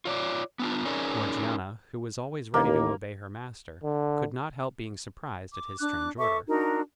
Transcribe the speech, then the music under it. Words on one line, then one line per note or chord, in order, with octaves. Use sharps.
Morgiana, who was always ready to obey her master, could not help being surprised at his strange order.
F4 C#5 D5
B3 D4 F4
C#4 D#4 G#4 A#4 C#5 D5
A1 D#2 A#3
D3
D6
D4 D6 F#6
A4 E5 C#6 D6
D4 D#4 F#4 A#4